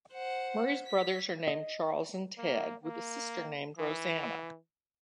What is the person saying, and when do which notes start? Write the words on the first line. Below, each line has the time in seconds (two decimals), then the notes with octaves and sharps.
Murray's brothers are named Charles and Ted, with a sister named Roseanna.
0.13 C5 F#5
0.86 B6
1.48 D#5
2.38 A#3
2.84 A#3
3.78 E3